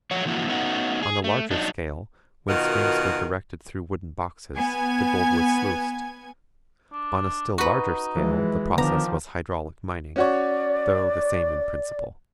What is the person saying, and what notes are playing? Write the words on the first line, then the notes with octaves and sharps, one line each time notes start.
On a larger scale, when streams were directed through wooden boxes, the gold was sluiced; on a still larger scale, the process was hydraulic mining, though the same in principle.
F3 A3 F#4 C#5
D3 E3 F3 A#3 E4 F#4
A3 B3 C#4 D#4 F#4
G#4
A3
F#3 D4 D#4
B2 D#3 F4 F#4 A#4 D#5
B3 G#5 G#6
D4
D#4 F#4 B4
D#2 E3 F3 G#3
D3 D#3 F3 B3 D4 A#5
C#4 F#4 C#5 D5